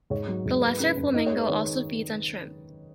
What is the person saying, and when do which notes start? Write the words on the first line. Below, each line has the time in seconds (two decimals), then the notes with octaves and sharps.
The lesser flamingo also feeds on shrimp.
0.10 G#2 C#5
0.27 F#3
0.45 G#2
0.62 A#3 B4
0.80 C#3 B4
0.97 F#2 B4
1.14 D#4 D#5
1.26 G#3 C#5
1.37 B4
1.49 D#3 C#5